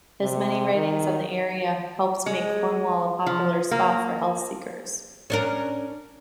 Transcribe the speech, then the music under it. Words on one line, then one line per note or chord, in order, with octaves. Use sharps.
His many writings on the area helped make Cornwall a popular spot for health-seekers.
C3
D#3
G#3
F3
A#3
C#4 D4 A#4